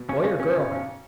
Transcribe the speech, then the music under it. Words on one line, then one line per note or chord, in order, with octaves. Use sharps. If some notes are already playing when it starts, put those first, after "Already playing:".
"Boy or girl?"
Already playing: B2
B1 C#4
B1 C#4
B2 C#4
B1
B1